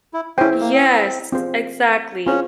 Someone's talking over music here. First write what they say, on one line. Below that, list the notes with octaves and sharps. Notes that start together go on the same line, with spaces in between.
Yes, exactly.
E4
C#4 E4 G#4 C5 G5
C4
A#3
C4
C4 F4 G#4 C5
C4 C#4 F4 G#4 C5